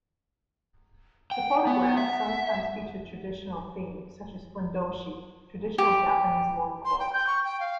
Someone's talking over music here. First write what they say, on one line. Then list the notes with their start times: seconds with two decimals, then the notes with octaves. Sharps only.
The photographs sometimes feature traditional themes, such as "fundoshi", traditional Japanese loincloths.
1.32 F#5 G5
1.67 B3
1.97 E5
5.78 G4
6.85 C6
6.99 G5
7.13 G6
7.27 C#6
7.44 G5
7.60 F5